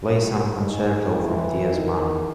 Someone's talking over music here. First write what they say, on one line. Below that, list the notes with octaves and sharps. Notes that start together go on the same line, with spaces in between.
Play some concerto from T. S. Monk.
G2
G#2
E3
D#3